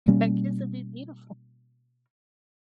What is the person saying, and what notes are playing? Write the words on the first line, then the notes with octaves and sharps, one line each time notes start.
our kids will be beautiful.
B2 G3 A#3 C#4